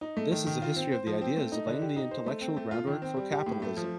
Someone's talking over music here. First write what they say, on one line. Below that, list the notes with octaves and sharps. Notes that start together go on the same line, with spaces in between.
This is a history of the ideas laying the intellectual groundwork for capitalism.
D#4
A3
D#3
D#3
F4
C4
C5
F3
C4
A3
D#4
D3
G4
D#4
C5
A3
C4
A3
F4
D#3
C4
G3
G4
A2
A3
F3